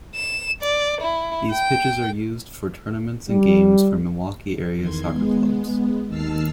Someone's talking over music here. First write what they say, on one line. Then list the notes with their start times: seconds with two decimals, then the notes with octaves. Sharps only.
These pitches are used for tournaments and games for Milwaukee area soccer clubs.
0.15 E7
0.62 D5
1.01 E4
1.51 G5
3.29 G3
4.76 E2 D#3 C6 G#6
5.09 G#3 B3
6.07 D#2 D#3 A5 E6 F6 C7